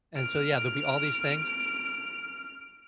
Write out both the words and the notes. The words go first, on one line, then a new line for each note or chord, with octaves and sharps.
And so yeah, there'll be all these things,
F6 D7